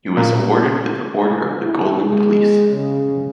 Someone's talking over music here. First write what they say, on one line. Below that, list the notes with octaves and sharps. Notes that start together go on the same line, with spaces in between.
He was awarded with the Order of the Golden Fleece.
A#2
E4
G#3
C#3